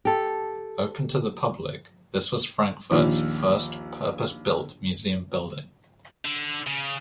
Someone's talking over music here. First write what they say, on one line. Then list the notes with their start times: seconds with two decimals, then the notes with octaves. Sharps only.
Open to the public, this was Frankfurt's first purpose-built museum building.
0.05 G4 A4
2.91 A#1 D#2
6.25 D3
6.67 C#3